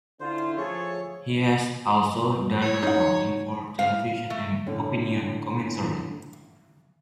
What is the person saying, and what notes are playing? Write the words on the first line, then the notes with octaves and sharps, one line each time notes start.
He has also done reporting for television and opinion commentary.
D3 C#4 E4 F4 C5
F3 A3 G#4 A4 C#5
C#5
D#4 F#5
F5
A3
A2 D3 C#4